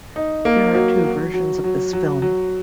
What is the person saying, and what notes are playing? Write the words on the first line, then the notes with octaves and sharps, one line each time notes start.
There are two versions of this film.
D#4
A#3
F#3
F#3
F#3
F#3
F#3
F#3